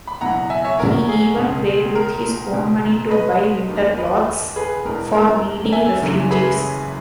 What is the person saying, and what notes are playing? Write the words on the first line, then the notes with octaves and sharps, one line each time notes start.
He even paid with his own money to buy winter clothes for needy refugees.
B5
F#1 E2 B2 F#5 A#5
E5 G#5
C#5 E5
A#4
G#4
C#2 B2
A#4
C#2 B2
B4 D#5
D#2 D#3
B4 D#5
G#4 B4
E1 E2 B2 A#4
A#4
E5 G#5
F#1 F#2 C#3 E3
G#4 B4